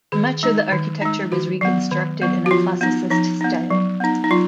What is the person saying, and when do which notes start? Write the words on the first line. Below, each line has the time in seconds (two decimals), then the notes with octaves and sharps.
Much of the architecture was reconstructed in a Classicist style.
0.12 D#3 G#4
0.43 G#3 D#4
0.72 D#3
1.02 G#3 D#4
1.32 D#3 F#4
1.61 F#3 B3
1.91 D#3
2.22 F#3 B3
2.46 F#4
2.51 F3 F4
2.81 B3 D#4
3.10 F3 D#4
3.41 B3 D#4
3.70 F#3
4.00 B3 D#4
4.24 D#4
4.31 F#3 F4